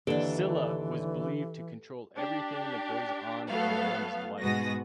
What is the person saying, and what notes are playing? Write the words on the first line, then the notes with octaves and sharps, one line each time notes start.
Silla was believed to control everything that goes on in one's life.
D#2 D3 E3 D4 G4 A4 B4
D4 G4
F#3 A3 B3 A4 F5
G#2 B2 F#4 D#6 A#6